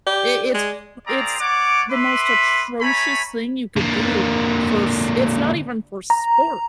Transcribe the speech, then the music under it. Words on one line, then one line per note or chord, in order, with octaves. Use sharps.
It it's h it's the most atrocious thing you could do for s it's not even for sport.
G4 D5
G#3
A#3 C4 G#4 D5 A#5
C#5 D5 F#5 D6
B4 E5 B5 C6 D6
A3 C#5 G#5 A#5 B5
D3 A#3
A#5